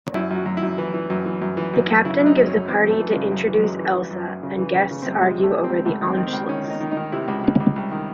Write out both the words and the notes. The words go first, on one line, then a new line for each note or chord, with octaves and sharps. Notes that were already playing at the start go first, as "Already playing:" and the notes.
The Captain gives a party to introduce Elsa, and guests argue over the "Anschluss".
F#2 E4
F#2 F#4
F#2
E4
F#2
E3
E3
F#2
E3
F#2
E3
F#2
F#2
C#3 E4
F#2 E4
D#4
F#2
C#4
F#2
E3 C4
F#2
A3
E3
G#3
C#3
F#2
E3
G#3
F#2 F#3
E3
E3
F#2
F#2
C#3
E3
C#3
C#3
F#2 C4
A3
C3 G#3
C3
A3
C3
C4
C#2
C#2 A3
D#3
C4
D#3
C#2 C4
D#3 C#4
D#3
D#4
D#3
D#4
D#3
C3 E4
C#2
C#2
C#2
C2
D#3